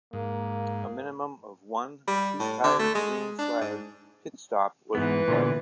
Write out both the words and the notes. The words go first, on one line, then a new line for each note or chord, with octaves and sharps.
A minimum of one two-tire green flag pit stop was required.
G#2 A#3
G3
A2
D3
A3
G#3
D4
G#2
G#2 E3 B3
A#2 D3 B3